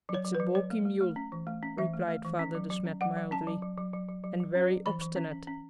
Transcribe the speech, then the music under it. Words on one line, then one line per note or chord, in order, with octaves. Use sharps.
"It's a balky mule," replied Father De Smet mildly, "and very obstinate."
F#3
C#5
F#3
B4
F#3
F#3 C#5
A3
A3
A3
C#4
E3
A3
C#4
E3 E5
A3
A3
E3
C#4
F#3
F#3
C#4
F#3 F#5
F#3
C#4 A5
F#3
F#3
F#3
F#3
F#3
F#3
F#3
C#4
F#3
E3 B5
E3
C#4
C#4
C#4